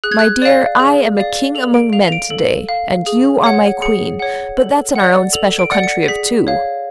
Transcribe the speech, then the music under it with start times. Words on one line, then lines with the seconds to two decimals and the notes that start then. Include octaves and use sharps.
"My dear, I am a king among men to-day, and you are my queen, but that's in our own special country of two."
0.04 G#4 F#6
0.12 G#6
0.19 F#6
0.42 D5 F5
0.79 G#4
1.17 D5 F5
1.55 A4 F7
1.74 D7
1.93 F5 F7
2.08 F7
2.12 D7
2.30 A4
2.69 F5
3.06 G#4
3.44 C#5 F#5
3.82 G#4 C#7
4.19 C#5 F#5
4.58 A4
4.96 D5 F#5
5.33 A4 F7
5.59 D7
5.71 D5 F#5
5.83 C#7
6.08 G#4 B6
6.47 C#5 F5